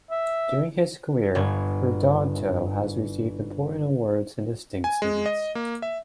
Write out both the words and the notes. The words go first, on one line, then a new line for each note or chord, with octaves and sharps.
During his career Hurtado has received important awards and distinctions.
E5
G1 G2 G#6
G#5
G#3
D#5
A#3
E5